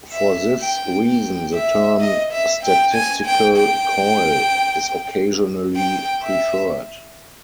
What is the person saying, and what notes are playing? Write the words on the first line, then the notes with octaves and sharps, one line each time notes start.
For this reason, the term "statistical coil" is occasionally preferred.
E5
G5
G5
E5
D#5
E5
G5
G#5
G5
G5
G5
E5